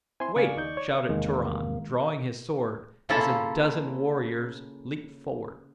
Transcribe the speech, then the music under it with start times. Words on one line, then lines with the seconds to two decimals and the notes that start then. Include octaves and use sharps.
"Wait!" shouted Turan, drawing his sword, as a dozen warriors leaped forward.
0.20 C4 E4 C5 G#5 C6
0.36 C#3 D5 F5 G#5 C#6
0.56 D#2 D#4 G6
0.77 C#5
1.09 E2 C3 D#3 G#3 A#3
3.09 C#3 A#3 C#4 E4 F4 A4